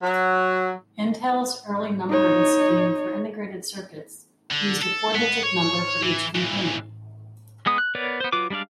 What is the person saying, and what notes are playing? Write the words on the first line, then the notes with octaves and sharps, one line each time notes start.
Intel's early numbering scheme for integrated circuits used a four-digit number for each component.
F#3
D#4 C#5
D3
A4
B3
C#5
E3
A#2 E3
G#3 B3 D#6
F#6
B3 A#4 B4 C#5 D5
B3 C5
F#3 F4 B4 D6
G3 G#3 D4 D5 F5